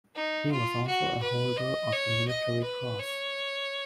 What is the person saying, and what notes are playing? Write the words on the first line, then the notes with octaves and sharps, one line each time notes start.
He was also a holder of the Military Cross.
D#4
F4
F#4
B4
D#5
C#5
D#5
B4
C#5